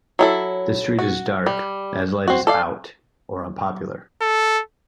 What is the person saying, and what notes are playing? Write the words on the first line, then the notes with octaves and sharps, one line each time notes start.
The street is dark, as light is "out", or unpopular.
F#3 E4 A4
F#4
G3
C4 F#4
A4 D5 F5
A4